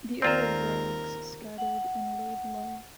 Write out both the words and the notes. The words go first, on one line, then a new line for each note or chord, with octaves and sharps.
The other Rogues scattered and laid low.
D#2 C4 F4 A#4 C5 D5 G5 A#5
F#5